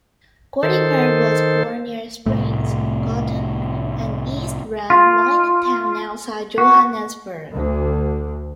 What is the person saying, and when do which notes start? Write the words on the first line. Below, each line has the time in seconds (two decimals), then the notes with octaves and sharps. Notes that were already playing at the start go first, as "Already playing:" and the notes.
Gordimer was born near Springs, Gauteng, an East Rand mining town outside Johannesburg.
0.63 D#3 A4 C5
2.26 C2 A2 A3
4.90 F4
6.58 F#4
7.53 D2